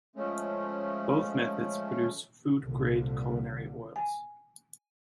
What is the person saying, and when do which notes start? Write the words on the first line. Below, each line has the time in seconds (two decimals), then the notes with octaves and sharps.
Both methods produce food grade culinary oils.
0.16 F3 G#3 A3 C#4
2.59 C2 A#2 D3
3.96 G#5